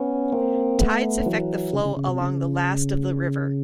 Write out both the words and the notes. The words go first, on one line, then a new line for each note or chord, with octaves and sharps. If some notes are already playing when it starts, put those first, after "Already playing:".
Tides affect the flow along the last of the river.
Already playing: B3 C#4
A#3 C4
A3 B3
E3 F#3
C#3
C#3
C#3
C3
C#3